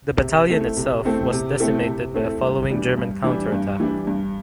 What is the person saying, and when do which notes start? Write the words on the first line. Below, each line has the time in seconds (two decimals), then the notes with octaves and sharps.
The battalion itself was decimated by a following German counterattack.
0.21 C3
0.49 A3 C4 E4 A4
0.77 C3
1.05 A3 C4 E4 A4
1.32 C3
1.60 A3 C4 E4 A4
1.87 C3
2.14 A3 C4 E4 A4
2.42 G2
2.70 E3 G3 D4
2.98 G2
3.24 E3 G3 D4
3.52 G2
3.80 E3 G3 D4
4.07 G2